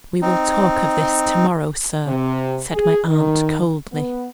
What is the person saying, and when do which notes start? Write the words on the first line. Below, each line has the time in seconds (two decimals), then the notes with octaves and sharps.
'We will talk of this to-morrow, sir,' said my aunt, coldly.
0.22 C4 D#4
2.07 C3
2.72 G#4
3.08 D#3
3.92 B3